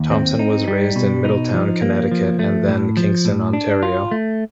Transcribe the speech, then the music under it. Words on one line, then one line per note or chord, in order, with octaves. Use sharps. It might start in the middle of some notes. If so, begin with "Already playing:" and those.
Thompson was raised in Middletown, Connecticut and then Kingston, Ontario.
Already playing: D#2
C4
D#4
G3
B2
D#4
F3
A#3
F3
A3
A2
F3
A2
D4
F4
A3